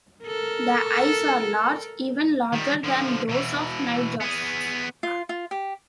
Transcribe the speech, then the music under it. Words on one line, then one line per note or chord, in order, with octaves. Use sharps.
The eyes are large, even larger than those of nightjars.
A4 A#4
D#3 G3
D3 F3
B2 E3
B3 G#4
F4
F4
G4